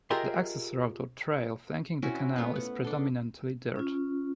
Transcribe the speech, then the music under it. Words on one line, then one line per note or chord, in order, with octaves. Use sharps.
The access road or "trail" flanking the canal is predominately dirt.
F4 G4 G#4 A#4 D#5 E5
C4 C#4 E4 F#4
A3 B3 F4 F#5
F#5
D4 A4
C#4 F4